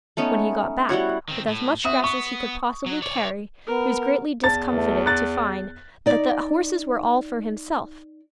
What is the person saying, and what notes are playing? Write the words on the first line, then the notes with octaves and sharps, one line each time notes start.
When he got back, with as much grass as he could possibly carry, he was greatly discomfited to find that the horses were all for himself.
A3 B3 C#4 D#4
G3 E4 F#4 C#5
D#3 C4
A2
C4 F#4 E5 D#6
B3 C#6
F#3
C#5 D5
B3 A#4
E2 A5 A6
E3 A3
F#6 A6
D#4 D5